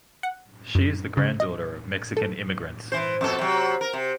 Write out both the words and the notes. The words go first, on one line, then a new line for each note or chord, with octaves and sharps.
She is the granddaughter of Mexican immigrants.
F#5
F#2
C#3
D#5
A4
E3 C5
F2 B2 A4
C3 F#3
A#4
C3